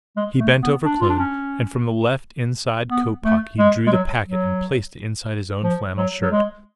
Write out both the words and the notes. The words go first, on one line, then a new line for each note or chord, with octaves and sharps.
He bent over Kloon and, from the left inside coat pocket, he drew the packet and placed it inside his own flannel shirt.
G#3
A3
B3
D4
F4
D4
C#4
B3
A3
G#3
G#3
F#3
F#3
F3
F#3
F#3
G#3